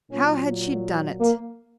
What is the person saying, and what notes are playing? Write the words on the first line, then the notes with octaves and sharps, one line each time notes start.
How had she done it?
A#2 F#3 C#4
A#3